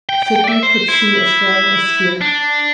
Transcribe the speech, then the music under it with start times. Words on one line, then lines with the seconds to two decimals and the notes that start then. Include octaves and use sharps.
Sydney could see as well as hear.
0.09 G5
0.23 G5
0.36 G5
0.44 D5
0.49 E5
0.63 C5
0.88 E4
2.21 D4